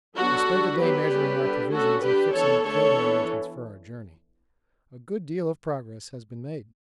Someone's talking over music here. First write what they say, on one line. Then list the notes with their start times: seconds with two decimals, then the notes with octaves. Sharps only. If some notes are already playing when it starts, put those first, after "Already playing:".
We spent the day measuring our provisions and fixing up clothing arrangements for our journey; a good deal of progress has been made.
0.17 F#3 B3 D4 F#4 A4
0.47 D3 G3 D4
0.79 F#3 B3 D4 G4 B4
1.10 G3 C#4
1.41 D3 G3 D4
1.71 D3 A3 C#4 F#4 A4
2.02 G3 D4 G4 B4
2.33 E3 B3 D4 A4 C#5
2.64 D3 A3 D4 A4 C#5
2.95 E3 B3 D4